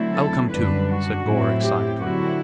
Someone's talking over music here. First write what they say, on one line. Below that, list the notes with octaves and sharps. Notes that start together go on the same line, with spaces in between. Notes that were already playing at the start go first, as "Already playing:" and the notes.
"I'll come too," said Gore, excitedly.
Already playing: D3 F#3 A3 C4 E4
A4
F#2 D3 G3 D4 B4
F#4
A2 F#3 C4 E4
G4
D3 F#3 C4 E4 F#4